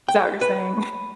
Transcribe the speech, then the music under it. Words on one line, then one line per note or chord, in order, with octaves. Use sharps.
Is that what you're saying?
G5
B4